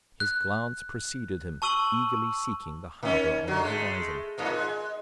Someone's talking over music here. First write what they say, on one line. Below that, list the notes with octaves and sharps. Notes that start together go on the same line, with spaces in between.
His glance preceded him, eagerly seeking the harbour on the horizon.
F#6
A5 C#6 E6 D#7 F#7 G7
D#3 C#4
D3 F#3
G#3 A3
G2 A#2 F3
G#3